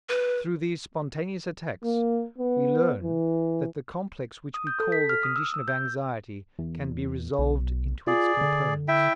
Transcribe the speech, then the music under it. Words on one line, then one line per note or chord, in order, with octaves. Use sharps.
Through these spontaneous attacks we learn that the complex which we call the condition of anxiety can be resolved into its components.
B4
A#3
B3
E3
D#6
G6
A4
B6
F6
D#6
E6
E6
G6
E2
B1
F4 G#4 D5
D3
E4 E5 G5